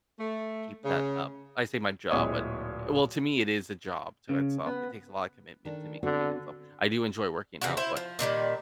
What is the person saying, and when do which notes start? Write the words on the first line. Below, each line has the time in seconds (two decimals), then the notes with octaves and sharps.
keep that up. I say my job, but, eh, well, to me, it is a job to itself, it takes a lotta commitment to maintain itself. I do enjoy working out, but
0.20 A3
0.85 C#3
2.11 D1 A#2 G#3 E4 C#5 D#6
4.29 C#3
4.67 B3
5.65 D#3 D4 A4
6.03 D3 B3 C4 F#4
7.61 C#3 E3 G3 F#4
7.77 E4 C5
7.97 F3
8.19 A#2 D#3 F3 G3